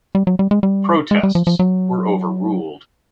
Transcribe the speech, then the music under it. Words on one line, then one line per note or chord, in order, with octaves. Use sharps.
Protests were overruled.
G3
F#3
G3
G#3
G3
G#3
G3
F3
F3
F#3